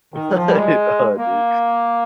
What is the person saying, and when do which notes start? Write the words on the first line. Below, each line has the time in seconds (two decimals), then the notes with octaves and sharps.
Right on, dude.
0.14 D#3
0.35 F3
0.47 G3
0.56 G#3
1.17 A#3